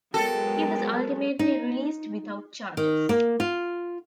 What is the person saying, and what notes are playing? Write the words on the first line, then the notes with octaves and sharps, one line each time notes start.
He was ultimately released without charges.
F#3 G#3 B3 A4 A#4 G5
D#4
D#3
A#3
F4